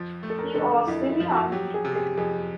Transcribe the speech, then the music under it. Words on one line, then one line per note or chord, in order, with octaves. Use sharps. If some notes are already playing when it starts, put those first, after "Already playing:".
You are still young.
Already playing: F2 F3
A3
A4
A#4
D3 A4
F2 E4
E4
F3
F#4
F#3 G4
G#4
C3
G#4
F2 G#4